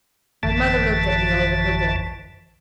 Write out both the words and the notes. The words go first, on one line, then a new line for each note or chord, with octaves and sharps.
My mother looked at me over her book.
A1 F#2 D3 E3 A5